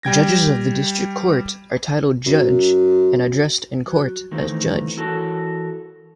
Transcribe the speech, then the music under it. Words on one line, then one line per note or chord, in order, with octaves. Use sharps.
Judges of the District Court are titled "Judge" and addressed in Court as "Judge".
G3 G5 G#6 A#6
F#2
F#3
D#3 E3 A3 A#3 C4
E3 E4 F#4 A4 A#4 C#5